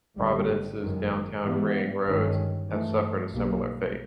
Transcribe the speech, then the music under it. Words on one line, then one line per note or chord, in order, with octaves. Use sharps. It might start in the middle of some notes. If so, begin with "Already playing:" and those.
Providence's Downtown Ring Roads have suffered a similar fate.
G#1 F#2 D3 G3 A#3
F#1 F#2 D#3
G#2 E3 G3 B3
G1 G2 D#3 G#3 C#4
G2 E3 A3
B1 B2 G3 A#3